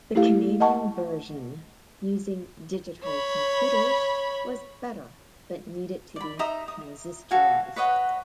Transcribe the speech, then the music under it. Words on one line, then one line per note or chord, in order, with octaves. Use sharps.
The Canadian version, using digital computers, was better, but needed to be transistorized.
A3 E4 G4 A4 F5
D#5 F#5 A5 C#6
C#5 B5
D5 B5
D#4 E5 A#5 D#6
D#6
F#4 A4 F5 G#5
B4 C#5 D#5 F#5